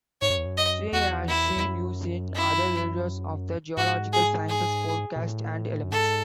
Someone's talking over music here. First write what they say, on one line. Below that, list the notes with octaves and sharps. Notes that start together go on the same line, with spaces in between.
Cl has seen use in other areas of the geological sciences, forecasts, and elements.
G#2 C#5
F#2
E2
F#2
D#5
E2 F#4
E4
E2
F#2
E4
G#2 F#4
G#4
G#4
B2
A2
F#2
G#2 A4